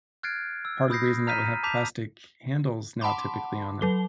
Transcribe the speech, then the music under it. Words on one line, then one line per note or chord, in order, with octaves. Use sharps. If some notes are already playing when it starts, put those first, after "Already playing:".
part of the reason that we have plastic handles now typically on the
F6 F#6 G#6 A6 C7 D7
E6
B5 D#6 G6 A#6 C7
A#5 F6 G6 B6 D#7
A5 D6 G6 B6 F7
F#5 A5 B5 C6 D6
F#3 A4 G7